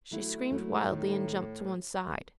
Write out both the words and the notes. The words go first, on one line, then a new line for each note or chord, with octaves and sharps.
She screamed wildly and jumped to one side.
F#3 A3 E4
F#3 A3 E4
A2 D#3 A3 D#4